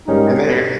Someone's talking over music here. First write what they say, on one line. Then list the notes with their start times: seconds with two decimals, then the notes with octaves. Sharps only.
And they, eh
0.07 G#2 G3 C#4 D#4 G4 A#4